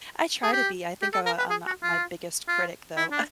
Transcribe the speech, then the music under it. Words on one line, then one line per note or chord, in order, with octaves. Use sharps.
I try to be, I think I I'm no my biggest critic, though.
G#4
G4
G4
A4
A#4
B4
G#4
F#4
F4
F4
E4
D4